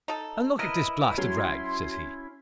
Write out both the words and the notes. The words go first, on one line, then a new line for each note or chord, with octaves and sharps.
And look at this blasted rag, says he.
D#4 A4
E4 A#4 B4 D#5
F#3 C#4 E4 C6